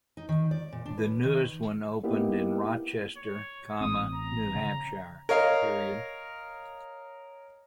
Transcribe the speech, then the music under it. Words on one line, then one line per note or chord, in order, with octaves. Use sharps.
The newest one opened in Rochester, New Hampshire.
D#4
D#3
D5
A#2
D4
B4
D#3
A#3 B3 D#4 E4 G4
C#5
A1 C4 D#6
A#5
C#3
A#4 C#5 D#5 F5